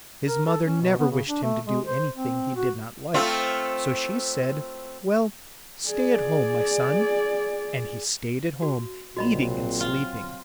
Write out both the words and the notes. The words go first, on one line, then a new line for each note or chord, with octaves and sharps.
His mother never wished him to do anything he did not like, so she said: 'Well, stay at home, my son.' And he stayed at home, eating and sleeping.
A#4
A4
C#4
B2
B3
C#3
D4
A3
G#3
C5
C4
F#4
A3 C4 F4
G#4 D5
F#4
A#1 A#2 F#3 C4 F#4 D#5 B5
F4